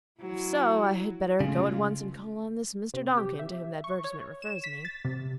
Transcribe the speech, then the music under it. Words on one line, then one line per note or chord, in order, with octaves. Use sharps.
If so, I had better go at once and call on this Mr. Donkin, to whom the advertisement refers me.
F#3 E4
C#3 G#3 A3 F4
C3
G4
E5
C#6
C#5
E7
B6
A6
C3